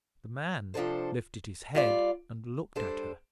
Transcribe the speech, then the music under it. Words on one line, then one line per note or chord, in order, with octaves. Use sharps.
The man lifted his head, and looked at her.
C3 F3 D4 A4 C5
G3 F4 D5
G3 D4 A4 C5